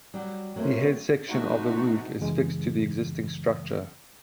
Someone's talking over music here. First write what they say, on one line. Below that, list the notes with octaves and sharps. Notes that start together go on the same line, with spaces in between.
The head section of the roof is fixed to the existing structure.
F#3 G3
F#3 A3 A#3 C4
C3 F3 A3 D4 D#4 F#4
F#2 C#3 E3 G#3